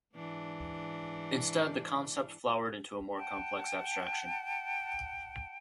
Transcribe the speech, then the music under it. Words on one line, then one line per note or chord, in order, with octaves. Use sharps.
Instead, the concept flowered into a more complex abstraction.
G#2 E3 D4
F#5 G5 A5